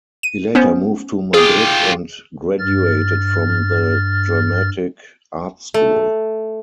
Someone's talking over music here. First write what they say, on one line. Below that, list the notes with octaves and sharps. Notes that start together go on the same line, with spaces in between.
He later moved to Madrid and graduated from the Dramatic Art School.
D#7
B3 C#4 C5
F4 G4 G#4
G2 F6 A6
A3